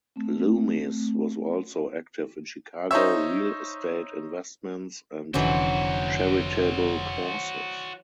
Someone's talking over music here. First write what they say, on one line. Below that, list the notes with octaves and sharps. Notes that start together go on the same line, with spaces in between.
Loomis was also active in Chicago real estate investments and charitable causes.
A3 C4
D#4 C5 C#5 E5
F1 D3 E3 F#3 C#4 F#4 C5